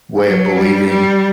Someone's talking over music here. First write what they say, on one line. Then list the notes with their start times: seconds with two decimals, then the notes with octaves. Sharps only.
way of believing,
0.24 F#3
0.56 G3
0.89 G3